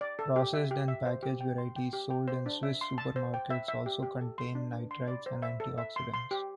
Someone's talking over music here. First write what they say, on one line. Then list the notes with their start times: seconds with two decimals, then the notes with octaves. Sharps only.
Processed and packaged varieties sold in Swiss supermarkets also contain nitrites and antioxidants.
0.01 D5
0.19 A4
0.36 G4
0.53 E5
0.71 G4
0.88 E5
1.06 C5
1.23 G4
1.41 G5
1.58 C6
1.76 G5
1.93 G4
2.10 G5
2.28 C5
2.46 D4
2.63 E5
2.81 C6
2.98 A5
3.16 C5
3.34 G5
3.50 E5
3.68 E5
3.86 G4
4.03 G4
4.21 A4
4.38 C6
4.55 D4
4.72 D4
4.91 C6
5.08 D5
5.26 C5
5.42 E5
5.60 A4
5.78 E5
5.96 C6
6.13 C6
6.31 G4